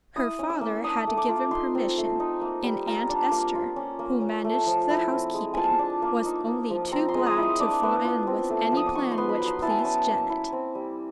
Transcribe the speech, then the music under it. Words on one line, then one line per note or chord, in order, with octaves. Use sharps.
Her father had given permission, and Aunt Esther, who managed the housekeeping, was only too glad to fall in with any plan which pleased Janet.
E4 D#6
C#4
E6
A#3
D4 D#6
A3
D6
F4
D#4 C6
C4
A3
D#4
A#3
G3
F4 A#5
D4
A#3
F4
C#4
A#3
C#4
A3
F3
E4
C4
G#3
F4 G#5 A5
D4
A#3
D#4
A#3
F3
C4 A#5
C6
G#3
D#6
E4
D#6
D4 D6
B3
F4
C4
A3
F3
D#6
D6
D#4 C#6
C6
B3
B5
F#3
C6
E4 A5
G#5
A5
C#4
A#3
E4
C4
G3